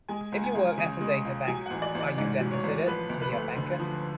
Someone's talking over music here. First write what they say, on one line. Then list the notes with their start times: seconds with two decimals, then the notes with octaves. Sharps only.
If you work as a data bank are you then also considered to be a banker?
0.08 G#3 G#5
0.32 C#2
0.44 G#5
0.55 C#2
0.78 C#3
1.01 G#3
1.25 C#2
1.47 F#3 G#5
1.66 A1 F#5
1.82 D5
1.95 A1
2.01 D5
2.18 G#2 D5
2.40 F#3
2.52 C#5
2.63 A1
2.86 F3 B4
3.09 D2
3.22 B4
3.33 A3
3.57 D3
3.79 F3